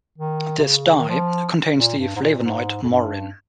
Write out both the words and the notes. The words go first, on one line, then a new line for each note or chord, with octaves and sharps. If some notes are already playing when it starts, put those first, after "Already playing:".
This dye contains the flavonoid morin.
D#3
C3
C#3
D#3
F3
A#2
G2
G#2
A#2
A#2
G#2
F2
G2